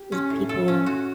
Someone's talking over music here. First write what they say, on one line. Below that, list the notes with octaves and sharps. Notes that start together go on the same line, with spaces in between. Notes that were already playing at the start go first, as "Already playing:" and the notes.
with people
Already playing: G4
C#4
A2
A4
C#4
F#4